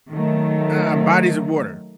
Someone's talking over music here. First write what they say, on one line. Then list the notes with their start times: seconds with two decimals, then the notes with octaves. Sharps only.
Mm-mm, um, bodies of water,
0.12 D#3 F#3 A3